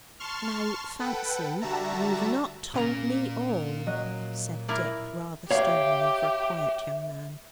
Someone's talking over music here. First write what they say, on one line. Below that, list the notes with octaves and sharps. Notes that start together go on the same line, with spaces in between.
"Now, Fancy, you've not told me all!" said Dick, rather sternly for a quiet young man.
A5 C6 C#6 F6
A4 B4 F#5 G5
D3 G3 F#4 E5 A5 A#5
A#2 C#3 A#5
F#3 D#5 F#6
E4 A#4 D5
G4 C#5 E5 F5